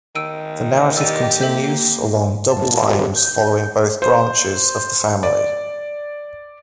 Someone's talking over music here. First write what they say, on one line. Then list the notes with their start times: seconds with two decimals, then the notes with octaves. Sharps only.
The narrative continues along double lines, following both "branches" of the family.
0.15 D#3 E6 D7 D#7
0.97 G4 D5 D#5 E6 D#7
1.41 A#3 A4 E5 G6
2.50 A5
2.86 G4
3.16 G6
4.02 C5
5.23 D5